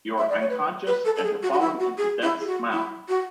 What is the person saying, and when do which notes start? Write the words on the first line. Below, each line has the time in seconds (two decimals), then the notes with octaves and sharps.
You are unconscious, and have fallen into Death's mouth.
0.18 E5
0.29 D5
0.40 C#5
0.50 B4
0.87 B4
1.05 A4
1.16 A4
1.24 G#4
1.43 F#4
1.53 F#4
1.60 E4
1.80 F#4
1.98 G#4
2.22 E4
2.40 G#4
2.47 F#4
2.72 E4
3.08 F#4